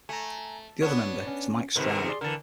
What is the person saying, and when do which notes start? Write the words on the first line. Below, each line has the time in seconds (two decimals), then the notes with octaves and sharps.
The other member is Mike Stroud.
0.09 A3 G#5 A#5
0.82 B3 D4 C#5
1.27 C#4
1.76 G#2 C3 D#3 A#4 B4 B5
2.07 G#4 D5 C6
2.21 D3 E3 A#4 A5